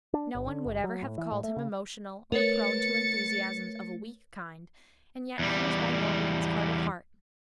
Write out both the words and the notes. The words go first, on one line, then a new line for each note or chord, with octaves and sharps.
No one would ever have called him emotional, or prone to enthusiasms of a weak kind, and yet he was by no means hard of heart.
D4
G1
D3
F#1
F#3
A2
E3
A2
A3
C#3
A3 A#4 B4 C#5 A6 C#7
E2 G3